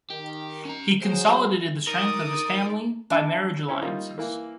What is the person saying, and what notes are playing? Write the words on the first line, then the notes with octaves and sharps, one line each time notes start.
He consolidated the strength of his family by marriage alliances.
D#3 G4
C#4 A#5
F#3 F#4 G#4 C5
D#4 A#4 D5 D#6
D4
C#4 E4 C5
G3 A#3 D#4 F4
E3 A#3